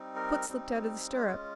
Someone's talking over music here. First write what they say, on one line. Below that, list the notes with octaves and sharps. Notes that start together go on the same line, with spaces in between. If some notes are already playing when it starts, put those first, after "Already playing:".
"Foot slipped out of the stirrup."
Already playing: G3 C4 D#4
A#4
G3 C4 D#4
G#3 C#4 F4 C#5